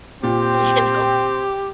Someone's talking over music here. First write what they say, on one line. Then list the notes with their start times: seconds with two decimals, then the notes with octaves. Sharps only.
you know.
0.23 A#2 C4 G4